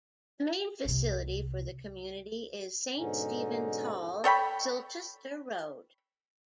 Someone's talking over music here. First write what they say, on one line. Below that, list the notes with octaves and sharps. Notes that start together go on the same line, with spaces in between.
The main facility for the community is Saint Stephens Hall, Silchester Road.
C2 C3
G#2 B2 D3 C#4 D#4
A4 C#5 G5 B5